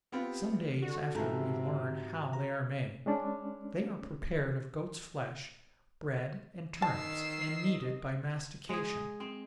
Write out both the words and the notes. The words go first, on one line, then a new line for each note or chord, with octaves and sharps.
Some days after we learned how they are made; they are prepared of goat's flesh, bread, and turnips, and kneaded by mastication.
B3 C4 F4 G4
E2
D3 F#4
G#2 C3 E3 F3 A3 A#5
C#3 A#5
G#3 C#4 D4
D#3 D#5 A5 E6 C7
G#3 G#4
C4